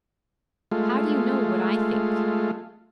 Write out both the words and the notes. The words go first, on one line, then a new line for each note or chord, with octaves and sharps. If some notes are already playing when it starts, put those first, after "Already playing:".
'How do you know what I think?'
G#3 A3 F4